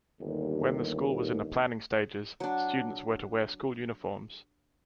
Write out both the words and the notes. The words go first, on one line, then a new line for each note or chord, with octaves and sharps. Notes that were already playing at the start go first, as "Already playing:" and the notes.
When the school was in the planning stages, students were to wear school uniforms.
G1 D#2
F#3 D4